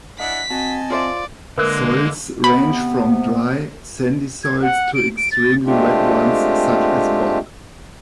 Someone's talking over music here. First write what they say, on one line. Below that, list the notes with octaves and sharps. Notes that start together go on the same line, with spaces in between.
Soils range from dry, sandy soils to extremely wet ones such as bog.
D4 E4 D#5 F#5 B6
C4 F#4 D#5 G#5 A5
F4 C5 D5 E5
D3 G#3 A#3 A#4 B4 E5 F#6
C3 B3 B5
G#6
F#5
D7
D7
A6
G#3 A3 C4 D4 F4 G4